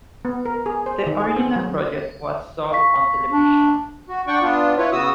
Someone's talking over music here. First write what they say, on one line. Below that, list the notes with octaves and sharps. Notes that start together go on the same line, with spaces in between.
The original project was sold on television.
B3
A#4
G#4
C5
D#3
G#4
C4
F#3
F5 C#6 B6
D4
F#4
D4 D5 F#5 G5 C#6
B3 D4 F4
E4 F4 B4 C#5
C#3 B3 F#4 D#6 E6